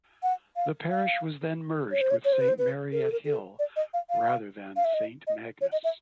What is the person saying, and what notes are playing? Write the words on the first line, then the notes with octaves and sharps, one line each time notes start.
The parish was then merged with Saint Mary at Hill rather than Saint Magnus.
F#5
F5
F5
C#5
C5
C#5
C#5
C5
B4
C5
B4
A#4
A4
A#4
A4
D5
D#5
F5
F5
F5
E5
D#5
D#5
C#5
D#5
E5